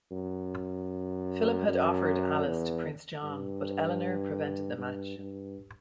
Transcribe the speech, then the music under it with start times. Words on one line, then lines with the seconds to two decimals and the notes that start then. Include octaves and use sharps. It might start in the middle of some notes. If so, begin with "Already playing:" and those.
Philip had offered Alys to Prince John, but Eleanor prevented the match.
0.11 F#2
1.68 F#2
2.45 E2
3.23 G2
4.79 G2
5.18 G2